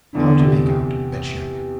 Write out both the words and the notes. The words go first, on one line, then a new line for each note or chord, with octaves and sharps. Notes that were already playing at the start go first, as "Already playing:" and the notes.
How to Make Out a Check.
E2 D3
C3
C3